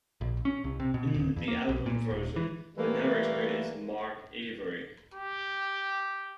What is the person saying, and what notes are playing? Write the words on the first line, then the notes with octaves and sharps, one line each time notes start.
In the album version, the narrator is Mark Avery.
A#1
C#4
C2
C3
B2
D1
E2
A#3
B1
A#2
D#1
E3
E3 G3 A3 A#3
G4